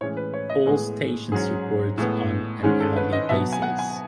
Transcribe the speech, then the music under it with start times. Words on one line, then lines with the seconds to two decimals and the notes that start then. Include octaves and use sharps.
All stations report on an hourly basis.
0.01 A2 E3 G#3 C#4 C#5
0.17 B4
0.34 C#5
0.49 D#5
0.66 A2 G#3 B3 G#4
1.32 G#2 F#3 C#4 G#4
1.98 A2 G#3 B3
2.63 G#2 D#3 G#3 C#4 G#4
2.80 A4
2.97 B4
3.12 D#5
3.29 B2 F#3 B3 E5
3.53 G#5
3.62 F#5
3.79 G#5